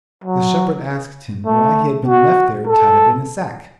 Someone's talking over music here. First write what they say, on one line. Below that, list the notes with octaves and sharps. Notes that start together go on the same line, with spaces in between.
The shepherd asked him why he had been left there tied up in a sack.
F#3
A3
F#4
A4